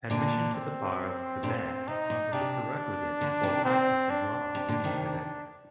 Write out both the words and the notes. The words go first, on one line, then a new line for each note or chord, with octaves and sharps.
Admission to the Bar of Quebec is a prerequisite for practising law in Quebec.
A#2 D3 D4
C4
A#2 D3
C3 D#4
A#2
C3 D4
A#2 D3
C3 D#3
C4
D4
C3
A#2 D3
C3 D#3
D4